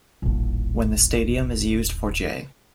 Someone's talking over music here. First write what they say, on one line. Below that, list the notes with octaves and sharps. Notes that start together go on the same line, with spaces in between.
When the stadium is used for J.
D#1 A1